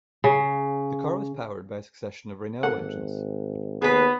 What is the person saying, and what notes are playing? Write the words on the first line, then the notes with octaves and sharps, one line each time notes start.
The car was powered by a succession of Renault engines.
C#3
G#1 A#3 A4 F#5
D#2 B3 G#4 B4